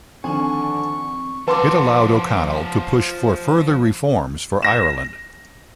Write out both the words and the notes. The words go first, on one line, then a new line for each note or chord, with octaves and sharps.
It allowed O'Connell to push for further reforms for Ireland.
D3 D#3 F3 C4 D4 G#5 C#6
F3 B4 F#5 A5 C6 D6
A#6 E7